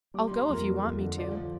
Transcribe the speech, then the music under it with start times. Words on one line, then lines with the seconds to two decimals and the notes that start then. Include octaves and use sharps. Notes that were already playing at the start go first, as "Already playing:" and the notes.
"I'll go if you want me to."
0.14 G3 D6
0.27 C6
0.31 G3
0.41 C6
0.49 F2 A#4
0.66 G3
0.84 F2
1.00 D3
1.18 F3 D5
1.35 F3